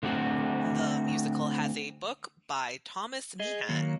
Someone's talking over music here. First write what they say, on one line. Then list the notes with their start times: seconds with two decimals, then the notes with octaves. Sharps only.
The musical has a book by Thomas Meehan.
0.03 D3 A3 C4 F#4
3.40 G#4 D#5
3.69 D#3 F#3 A#3